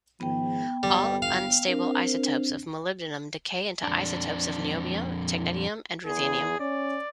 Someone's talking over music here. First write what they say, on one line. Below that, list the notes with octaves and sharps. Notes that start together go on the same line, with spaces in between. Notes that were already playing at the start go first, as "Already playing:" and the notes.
All unstable isotopes of molybdenum decay into isotopes of niobium, technetium, and ruthenium.
G#2 D#3 F3 B3 G5
G1 G3
F5
C4 D4 A#4
F2 D4
E2 G#4
C#4 D5